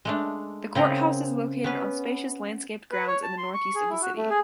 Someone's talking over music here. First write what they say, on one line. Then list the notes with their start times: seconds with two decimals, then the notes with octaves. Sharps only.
The courthouse is located on spacious landscaped grounds in the northeast of the city.
0.05 G#3 A3 D4
0.75 C#3 C4 G#4 A#4 F#5
1.64 B3 C#4 B4
2.92 B4
3.08 C#5
3.23 A5
3.38 C6
3.54 C#6
3.75 G#4
3.90 E4
4.02 F#4
4.17 A3
4.30 G#4